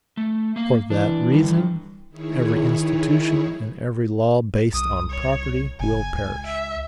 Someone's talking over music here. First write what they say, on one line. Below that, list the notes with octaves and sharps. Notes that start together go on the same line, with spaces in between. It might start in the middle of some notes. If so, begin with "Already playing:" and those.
For that reason, every institution and every law based on property will perish.
A3
A#3 F5
E3 D4
D3 G3
D#3 E4 G#4 C#5
C2 D#6
C#5
F#1 G#5
C#2
E5